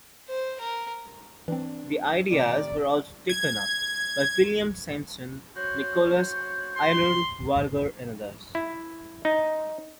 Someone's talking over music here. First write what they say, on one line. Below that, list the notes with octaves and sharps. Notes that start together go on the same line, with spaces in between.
The ideas were also taken up by William Swainson, Nicholas Aylward Vigors, and others.
C5
A#4
E3 C4 D4
A2 C3 D#3 D5
G#6
F#4 C5 C#5
C6
E4
D#4